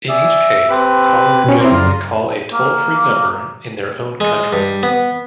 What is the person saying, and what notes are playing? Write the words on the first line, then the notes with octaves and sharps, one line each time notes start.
In each case, callers generally call a toll-free number in their own country.
G#4 D5 E5
C4 G4 B4
B2 C#4
C4 E4 D5 A#5 C6
F#2 F4
A#3
G#3
G2
B3